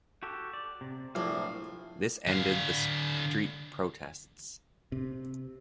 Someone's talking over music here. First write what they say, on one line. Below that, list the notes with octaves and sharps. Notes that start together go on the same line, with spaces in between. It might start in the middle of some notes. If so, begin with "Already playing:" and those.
This ended the street protests.
F#4 G4 A4
D5
C3
A#1 A2 F5
D3 F5
C3